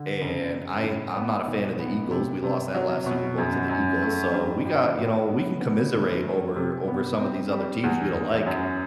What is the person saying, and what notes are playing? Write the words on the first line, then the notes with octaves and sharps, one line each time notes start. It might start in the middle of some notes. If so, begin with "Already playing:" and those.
and I I'm not a fan of the Eagles, we lost that last Super Bowl to the Eagles, so we got you know, we can commiserate over over some of these other teams we don't like.
Already playing: D3
F#1
F#1
A2
B3
B1
B3
C3
C3
F#3
B2
F#2
F#2
A3
G2
A1
A2
B3
B3
G1
A3
C3
B3
C4
G3
E2
E2
F#2